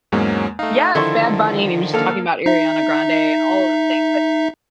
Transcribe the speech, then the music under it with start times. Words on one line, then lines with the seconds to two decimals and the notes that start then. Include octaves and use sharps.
Yes! Bad Bunny, and he was just talking about Ariana Grande, and all of the things, but
0.12 E2 G#2 F#3 G#3 A#3 C#4
0.59 A3 D#4 F5
0.95 D3 D#3 F3 E4 A4 C6 C#6
1.93 A#3 A4 F5
2.46 D#4 E5